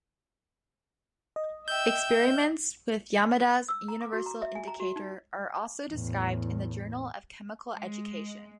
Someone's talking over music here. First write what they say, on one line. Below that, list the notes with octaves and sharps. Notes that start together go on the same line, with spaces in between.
Experiments with Yamada's universal indicator are also described in the "Journal of Chemical Education".
D#5
E5 G5 E6 G6
E6
A#5
D6
F#4
A#5
E5
G#5
A#5
F#4
D#4
E2 A2
G#3